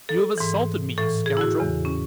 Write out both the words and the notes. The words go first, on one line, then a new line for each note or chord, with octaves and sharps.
"You have assaulted me, you scoundrel!"
A4
G#2 E3
A2 E3 A4
G#4
E4
F#4
E2 C#3 E3
C#4